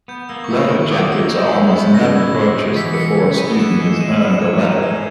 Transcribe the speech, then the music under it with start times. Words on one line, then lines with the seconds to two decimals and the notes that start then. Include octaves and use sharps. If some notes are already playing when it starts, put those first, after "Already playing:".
Letter jackets are almost never purchased before a student has earned a letter.
0.08 B3 G6
0.29 A#3 E6
0.44 C#6
0.50 E4 D#6
0.70 D#3 C#6
0.83 C#6
0.91 G4 D#6
1.12 A#3 E6
1.32 E4 G6
1.53 G#3 G6
1.73 B3
1.94 C#3 A#6
2.15 E4
2.36 G#3
2.55 B3
2.76 E3 B6
2.94 C#7
2.97 G#3 B6
3.17 C#3 C#7
3.38 B3 D#7
3.59 E3 E7
3.80 G#3 E7
3.96 E7
4.00 G#3 D#7
4.21 B3 D#7
4.42 E3 G#6
4.62 D#4 G6
4.83 G#3 E6